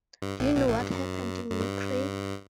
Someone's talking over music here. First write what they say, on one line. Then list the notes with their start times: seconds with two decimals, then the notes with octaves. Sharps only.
Do you know what happened in Ukraine?
0.22 G2
0.39 A1 A2
0.56 B1 B2
0.68 A1 A2
0.80 G2
0.91 F#2
1.51 F#2
1.60 G2